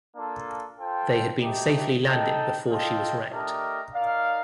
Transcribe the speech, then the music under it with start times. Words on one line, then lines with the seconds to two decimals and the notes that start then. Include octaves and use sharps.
They had been safely landed before she was wrecked.
0.16 A#3 D4 F4 A4
0.79 F4 A4 C5 G5
1.42 A3 D#4 G4
2.05 D#4 A4 D#5 G5
2.68 F4 A4 D#5 G5
3.31 A3 D4 G4 A#4 D#5
3.94 D#4 A#4 D5 F5